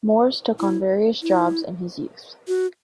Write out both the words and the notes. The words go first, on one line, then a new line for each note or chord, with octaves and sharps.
Mores took on various jobs in his youth.
E4
E4
F#4